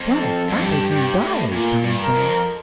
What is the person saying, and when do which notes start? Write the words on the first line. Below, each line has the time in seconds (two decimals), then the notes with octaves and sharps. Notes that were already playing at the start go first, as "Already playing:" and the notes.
"Twelve-thousand-dollars!" Tom says.
Already playing: F2
0.15 A4
0.49 F2
0.61 G2 G4
0.92 G2
1.22 A2
1.52 A#2 F4
1.84 G2
1.99 A#4
2.15 F2